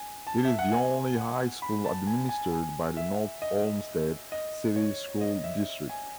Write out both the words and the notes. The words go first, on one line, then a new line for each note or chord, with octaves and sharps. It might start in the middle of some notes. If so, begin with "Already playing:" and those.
It is the only high school administered by the North Olmsted City School District.
Already playing: G#5
A5
E5
F#5
G#5
F#5
B5
A5
G#5
G#5
G#5
E5
D#5
D#5
C#5
D#5
E5
G#5